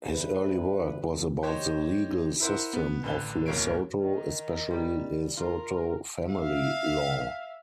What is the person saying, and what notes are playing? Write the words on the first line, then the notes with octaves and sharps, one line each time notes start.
His early work was about the legal system of Lesotho, especially Lesotho family law.
D2 G2 B4
G4 C5 C#5 D#5
E4 A#4 C5 F#5
B3
A1 D3 B4 F5 G7
D1 B1 A#3 C#5 C7 D7
D#3
G3
F4 A#4
E5 F5